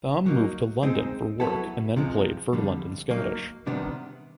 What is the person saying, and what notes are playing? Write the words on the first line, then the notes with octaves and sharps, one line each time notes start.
Thom moved to London for work and then played for London Scottish.
F#3 A#3 D#4
G#3 C4 D#4 G#4
F#3 B3 E4 A4
C3 F3 G#3
F2 D3 G3
F#3 A#3 D#4
C3 D#3 G3 B3 D4